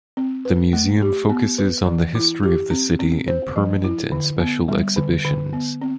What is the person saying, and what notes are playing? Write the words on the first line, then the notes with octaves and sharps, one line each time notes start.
The museum focuses on the history of the city in permanent and special exhibitions.
C4
B4
A3
G4
B3
B4
E3
E4
G4
C4
C4
C5
F3
E4
D3
B3
G3
D3
D3
B3
C4